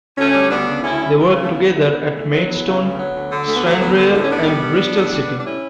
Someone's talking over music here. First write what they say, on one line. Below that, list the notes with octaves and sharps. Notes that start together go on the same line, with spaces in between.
They worked together at Maidstone, Stranraer and Bristol City.
D2 A3 C#4
G3
D2 B3 D4
C#3
D2 C#4 E4
G3
D2
C#3
A3
E2 B3
F#3
A3
E2 B3
C#3
E2 A3
F#3
E2 B3
C#3
D2
F#3
D2
D3
D2 A3
B3
F#3 A3
D2 B3
D3
A2 D4
C#4
A2 B3 D4
G3
G3
A2
A2
G3
G3
D4
A2 C#4 E4